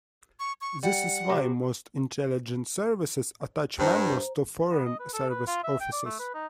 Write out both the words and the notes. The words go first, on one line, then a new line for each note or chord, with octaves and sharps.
This is why most intelligence services attach members to foreign service offices.
C#6
C#6
G3 F#5
C3 F#4
G2 D4 C5 A#5
B3
D#5
B4
A4
B4
F4
E5
G5
D5
A3
B4
D#4